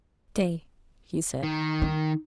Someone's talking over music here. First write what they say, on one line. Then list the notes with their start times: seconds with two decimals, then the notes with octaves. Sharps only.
"Stay!" he said.
1.43 D#3
1.82 D#4